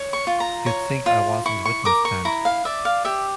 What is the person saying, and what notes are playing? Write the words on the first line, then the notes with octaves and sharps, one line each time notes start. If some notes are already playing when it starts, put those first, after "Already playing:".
You'd think I was on the witness stand!
Already playing: C#5
C#6
F4
A#5
C#5
F4
E4 C#6
C#6
A#4 D6
C#6
E4 A#5
F5
D5 E5
F5
G4 E5